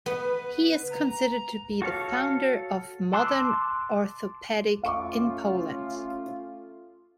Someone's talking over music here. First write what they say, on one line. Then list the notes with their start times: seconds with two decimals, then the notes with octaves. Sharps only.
He is considered to be the founder of modern orthopedic in Poland.
0.06 B3 B4
0.90 A#5
1.82 F#4 A4 C#5 F5
3.13 A5 C6 D6 E6 F#6
4.83 A3 C#4 F4 F5 C#6 D6